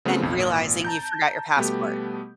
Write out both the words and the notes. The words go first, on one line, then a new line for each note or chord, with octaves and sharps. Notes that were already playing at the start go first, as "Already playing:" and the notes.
and realizing you forgot your passport."
C#3 F#3 A3 B3 C4
B1 F2
G#1 A#2 D7
A5 A#5 G6
B2 G3 A3 B3 G4